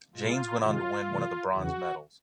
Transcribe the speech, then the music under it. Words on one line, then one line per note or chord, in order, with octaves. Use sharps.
Jaynes went on to win one of the bronze medals.
B2 G#3 F4
C3 D#3 G#3 F4
C3 E3 A3
E2 C#3 E3 F#4